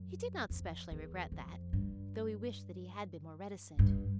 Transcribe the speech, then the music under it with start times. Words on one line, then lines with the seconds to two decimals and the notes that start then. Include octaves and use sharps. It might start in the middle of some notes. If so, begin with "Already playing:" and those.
He did not specially regret that, though he wished that he had been more reticent.
Already playing: F#2
0.50 F2
0.91 E2
1.32 F2
1.73 G2
3.79 G2